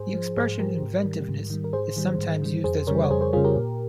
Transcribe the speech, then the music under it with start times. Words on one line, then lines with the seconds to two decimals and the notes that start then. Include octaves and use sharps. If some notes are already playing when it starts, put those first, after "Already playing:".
The expression "inventiveness" is sometimes used as well.
Already playing: G#2 G#4 C5
0.14 F3
0.37 G#2 G#4 C5
0.59 F3 G4 A#4
0.83 G#2
1.05 D#3 G3
1.29 G#2
1.50 D#3 G3
1.64 A#4
1.73 G#2 G#4 C5
1.96 D#3 G3
2.19 G#2
2.42 D#3 G3
2.64 F2 G#4 C5
2.87 C#3 G3 A#4 C#5
3.04 C#5
3.10 F2 G#4 C5
3.21 G#4 C5
3.33 C#3 G3 F4 G#4
3.44 G4 A#4
3.56 A#2